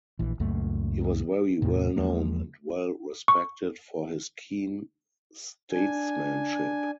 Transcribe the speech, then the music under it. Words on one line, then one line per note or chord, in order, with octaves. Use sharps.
He was very well known and well respected for his keen statesmanship.
A#1 E3
C#2 F#2 A#2 A3
E2 A2 C3
E2 F3 G#3 A#3
C#6
D4 G#5